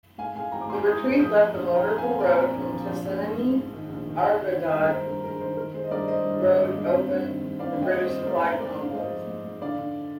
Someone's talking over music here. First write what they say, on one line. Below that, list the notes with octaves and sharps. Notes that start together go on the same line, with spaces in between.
The retreat left the motorable road from Tessenei-Agordat road open for British supply convoys.
G#2 F5 G#5
G#3 F5 G#5
G#1 G5 A#5
D6
G#2 G#5 C6
G#3 D#6 G6
G#2
F3 D#6 G6
G#3
A#1
F3
G5 A#5
F3
F5 G#5
C4
A#2 A#4 D5
C4
A#1
F3
A#1
A#1
G#2
G#2
G#2
D#3
A#1
D#3
D#3
D#3
D#3
G2
A#4
G2 C5
G2 A#4
G#3 A#4
D#3 C5
D#3 A#4
G#3 C5
D#5
G2 A#4 D5
G#3 C5 D#5
G2
G#1
G#1
G2
C4
G2
D#3
G2
C4 D5 F5
G2
D#5 G5
G2
C5
C4
C5
G#2 A#4 D5
G#2 A#4
C5
G#2 A#4 D5
G#2
F5
G#2 C5 D#5
F3
G#2
G#2
D3 D5 F5
D3